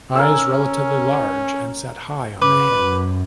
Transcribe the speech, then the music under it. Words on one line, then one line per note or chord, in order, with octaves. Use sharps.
Eyes relatively large and set high on the head.
C#4 A#4 G#5 E6
C#3 B4 D6
F#2